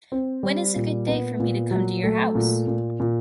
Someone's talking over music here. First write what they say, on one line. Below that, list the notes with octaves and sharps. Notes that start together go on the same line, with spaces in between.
When is a good day for me to come to your house?
C4
G3
A#2
B3
A#2
F#3
A3
A#2
A#2
A#2